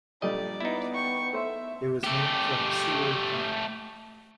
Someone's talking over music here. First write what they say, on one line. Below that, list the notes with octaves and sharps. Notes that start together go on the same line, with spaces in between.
It was named from Seward County.
A#1 G3 A3 D5 D#5
B3 D#4 E4
G5 C#6
A3 C5 E5
A3 G4